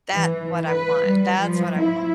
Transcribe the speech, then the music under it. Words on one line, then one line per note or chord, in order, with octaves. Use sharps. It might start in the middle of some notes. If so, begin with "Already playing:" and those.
That's what I want, that's what I want,
E3
B4
G3
F3
E4